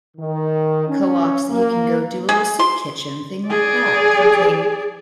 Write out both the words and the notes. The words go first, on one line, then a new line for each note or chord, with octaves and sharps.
co-ops, you can go do a little soup kitchen, thing like that, something
D#3
C#4
A#3
G#4
C6
G#4 D5